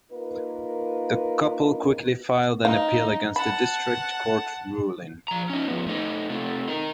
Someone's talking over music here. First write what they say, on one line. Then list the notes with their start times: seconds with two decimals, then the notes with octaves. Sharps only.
The couple quickly filed an appeal against the district court ruling.
0.12 A#3 D#4 F4 A#4 B4
2.65 D#4 F5
3.36 F#5 A5 B5
5.28 F3 A#5
5.50 C#4 D#4
5.68 F3 B3
5.87 A3 D#4
6.30 C3 A3
6.68 D#4 A#4